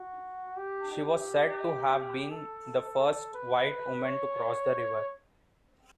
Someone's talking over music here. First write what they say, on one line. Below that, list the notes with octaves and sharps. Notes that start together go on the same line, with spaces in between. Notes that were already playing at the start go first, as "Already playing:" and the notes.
She was said to have been the first white woman to cross the river.
Already playing: F#4
G4
G4
A4
A4
B4
C#5